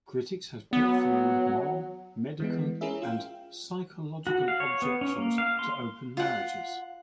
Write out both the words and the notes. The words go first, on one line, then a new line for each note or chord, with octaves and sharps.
Critics have put forward moral, medical, and psychological objections to open marriages.
F#3 B3
E3 G#3 B3
C#4 E4 G#4 A#4 E5
F4 F5 G5
F#4
F5
C#5
B3
C#4
A#3
F5
C6
F4 F#5